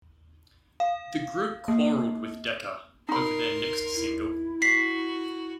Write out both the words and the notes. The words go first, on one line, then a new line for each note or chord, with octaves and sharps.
The group quarrelled with Decca over their next single.
F5
A#3
D#4 A#4 B5 C6
E4
F#4 B6 C7